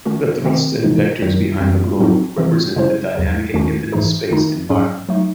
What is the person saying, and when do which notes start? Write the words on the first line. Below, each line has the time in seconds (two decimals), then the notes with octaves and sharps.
The thrusts and vectors behind the globe represent the dynamic and infinite space environment.
0.05 D#3 A3 C#4 F#4
0.45 D#3 A3 C4
0.83 C3 E3 G#3 D#4
1.21 F#2 D#3 F#3
1.60 F#2 E3 C4
1.99 A2 F#3 C4 D#4 F#4
2.38 C3 E3 C4
2.76 C#3 G#3 C#4 E4 C5
3.15 E2 C#3 F#3
3.54 E2 D#3 A3 C#4 F#4
3.92 G#2 E3 A3 D#4 G#4
4.31 D#3 A3 D#4
4.70 G#2 F#3 C#4 G#4
5.09 F#3 A3 D#4